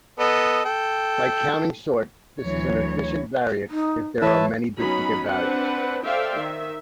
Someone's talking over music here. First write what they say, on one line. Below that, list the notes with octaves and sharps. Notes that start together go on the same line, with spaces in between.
Like counting sort, this is an efficient variant if there are many duplicate values.
B3 A4 D#5
A4 G5
D2 E3 F#3 C#5
D#4
E3 E4 B4 C#5 E5 A5
F#3 B3 C#4 D#4 B5
C4 D4 B4 F#5
A4 C5 D5 E5 F5 G5
D#3 E5